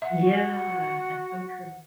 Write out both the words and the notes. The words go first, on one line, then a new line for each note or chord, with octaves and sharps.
Yeah, that's so true.
E5 F#5
F#4